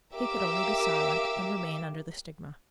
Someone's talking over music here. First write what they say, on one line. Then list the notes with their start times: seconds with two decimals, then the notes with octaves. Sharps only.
He could only be silent and remain under the stigma.
0.14 G4 A#4 E5 F5 D6 E6